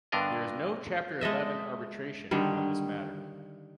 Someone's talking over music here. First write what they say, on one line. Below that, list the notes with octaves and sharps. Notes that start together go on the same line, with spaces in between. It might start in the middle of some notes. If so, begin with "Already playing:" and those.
There is no Chapter Eleven arbitration on this matter.
G2 D3 B3 D4 A#4 D#5
G#3 A4 D#5 E5
D3 D#3 G3